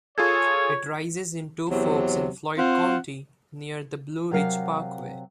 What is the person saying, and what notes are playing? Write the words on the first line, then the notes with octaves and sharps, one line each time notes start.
It rises in two forks in Floyd County near the Blue Ridge Parkway.
F4 G#4 A4 C#5 G#6
E2 C3 F#3
C4 F4 F#5
C3 F#3 A#4 F5